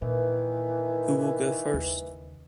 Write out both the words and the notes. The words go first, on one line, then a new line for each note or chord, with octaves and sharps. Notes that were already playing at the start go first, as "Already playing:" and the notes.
Who will go first?
A#2 D#3 E3
D#2 C#3